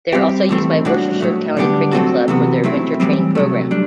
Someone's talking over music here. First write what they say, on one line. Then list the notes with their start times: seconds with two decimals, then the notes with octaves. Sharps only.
They are also used by Worcestershire County Cricket Club for their winter training programme.
0.13 G3 C4 G4
0.49 A2 E3 A3 C4
0.85 A2 G3 D4 F#4
1.20 A2 F#3 A3
1.57 D3 G3 B3 D4 G4
1.92 F#3 A3 C4 F#4 A4
2.28 C3 E3 B3 F#4
2.64 F#3 A3 C4 E4
3.00 A2 E3 G3 C4
3.35 C3 F#3 A3
3.71 G3 D4